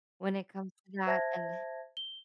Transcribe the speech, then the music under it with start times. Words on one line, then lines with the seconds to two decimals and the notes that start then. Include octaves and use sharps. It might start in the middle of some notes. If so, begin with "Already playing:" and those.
when it comes to that, an
1.07 C5 E5 A5 G#6 A#6
1.97 G7